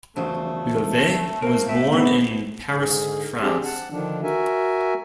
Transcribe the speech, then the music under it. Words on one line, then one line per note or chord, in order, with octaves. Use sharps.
Levet was born in Paris, France.
E2 C#3 F#3 A3 F4 C5
C4 A#4 F5
A2 E5
B3 C4
G#2 D3 G#4
C4 D4 G4 G#4
F#5 A5
D3 D#3 F3 D4
F#4 A#4 E5 G#5